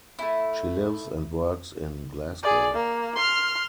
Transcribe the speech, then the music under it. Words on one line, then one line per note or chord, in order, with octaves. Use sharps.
She lives and works in Glasgow.
A3 C#4 E4
G#4 D5
A#3
C6 F6